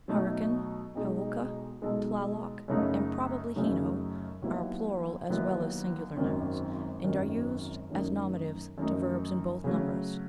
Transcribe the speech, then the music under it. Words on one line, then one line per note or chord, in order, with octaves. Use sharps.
Hurakan, Haokah, Tlaloc, and probably Heno, are plural as well as singular nouns, and are used as nominatives to verbs in both numbers.
B2 F#3 A3 D#4
B1 B2 G#3 D#4 A4
B1 B2 G#3 D#4 A4
F#2 C#3 F#3 A3 D#4
F#2 C#3 F#3 A3 D#4
D#2 D#3 F#3 B3 E4
D#2 D#3 F#3 B3 E4
G#1 F#2 D#3
G#1 F#2 D#3
F#2 D#3 A3 D#4
F#2 D#3 A3 D#4
C#3 F#3 A3